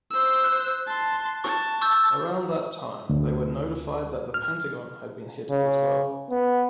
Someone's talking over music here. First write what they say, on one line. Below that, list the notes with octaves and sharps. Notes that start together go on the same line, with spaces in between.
Around that time, they were notified that The Pentagon had been hit as well.
C5 E6
F#6
A5 C6
A5 C#6
C#6 E6 G6
D2
F6
C#3
B3